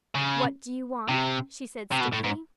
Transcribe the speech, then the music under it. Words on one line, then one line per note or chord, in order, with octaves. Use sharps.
"What do you want?" she said stiffly.
C#3
C3
C3
B2
A2
G#2